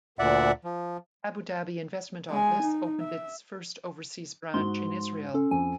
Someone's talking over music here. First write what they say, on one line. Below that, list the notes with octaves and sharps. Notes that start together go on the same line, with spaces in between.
Abu Dhabi Investment Office opened its first overseas branch in Israel.
D2 A#2 D5 E5 F#5
F3
G#3 G#5
D#4
E5
G#2 F#4 C6
C#4 A4
F2 G#5